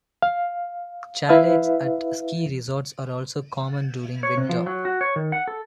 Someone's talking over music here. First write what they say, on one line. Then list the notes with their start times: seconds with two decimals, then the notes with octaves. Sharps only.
Chalets at ski resorts are also common during winter.
0.22 F5
1.29 E4 B4 E5 F5
4.23 C#5
4.37 C3
4.49 F3
4.66 F#3
4.85 F#4
5.01 C#5
5.16 D#3
5.32 F#5
5.48 A4